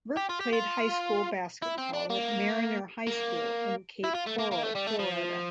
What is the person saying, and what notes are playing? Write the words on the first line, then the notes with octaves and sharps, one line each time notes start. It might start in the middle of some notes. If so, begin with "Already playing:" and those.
Burke played high school basketball at Mariner High School, in Cape Coral, Florida.
G4
F4
G4
F4
E4
C4
D4
A#3
A#3
E4
F4
A3
A#3
A#3
A3
G3
A3
F3